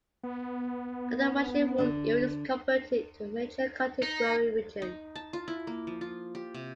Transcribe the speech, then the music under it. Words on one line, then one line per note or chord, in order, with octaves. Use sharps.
Under Russian rule, it was converted into a major cotton-growing region.
B3
D3 D4
D#4
D#4
A5
F4
E4
A#3
F3
F4
G4
C3